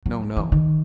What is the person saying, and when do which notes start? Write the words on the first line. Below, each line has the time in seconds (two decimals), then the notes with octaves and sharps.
No, no.
0.06 F#3
0.37 E3
0.52 D#3